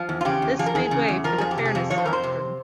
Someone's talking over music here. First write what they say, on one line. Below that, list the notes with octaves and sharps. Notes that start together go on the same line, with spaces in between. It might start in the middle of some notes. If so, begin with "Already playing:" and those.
This made way for the Fairness Doctrine.
Already playing: F3
E2
F4
C#3 G4
E2
F3 G#4
A#4
E2 G#4
C#3
E2
F3 A#4
F2 G#4
G4
C3
G#4
F2
F3 C#5
C5
F2 A#4
C5
C3